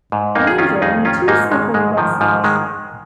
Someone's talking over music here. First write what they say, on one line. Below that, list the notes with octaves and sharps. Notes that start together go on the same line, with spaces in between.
Initially, he too suffered losses.
G#2
F2 A#3 D#4
G#4
D#3 C#4 F4
F2 D#4 G#4
D#3 C#4 F4
G#2 A#3 D#4
D#3 G#3
G#2 G#3
D#3 F3
G#2 F3
D#3 G#3